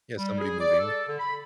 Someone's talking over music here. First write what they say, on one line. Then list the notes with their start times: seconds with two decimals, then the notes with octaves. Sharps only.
Yeah, somebody moving.
0.17 G3
0.38 G#4
0.59 D5
0.79 A4
1.08 D3
1.19 B5